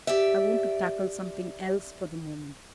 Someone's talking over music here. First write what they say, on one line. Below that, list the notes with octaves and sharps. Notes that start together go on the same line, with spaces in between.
I want to tackle something else for the moment.
G4 D5 E5